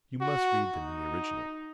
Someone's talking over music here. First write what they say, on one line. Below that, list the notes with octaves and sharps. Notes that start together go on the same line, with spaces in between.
You must read them in the original.
F#4
D#4